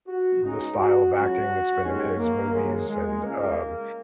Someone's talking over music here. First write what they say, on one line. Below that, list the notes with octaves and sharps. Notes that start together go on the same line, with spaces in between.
the style of acting that's been in his movies and, um,
F#4
C#2 C#3 G#3 D#4
F#4
C#2 C#3 F#3 F#4
D#2 D#3 G#3 C#4
A#3
D#2 C#3 F#3 G#3
G#3
C#2 C#3 G#3 A#3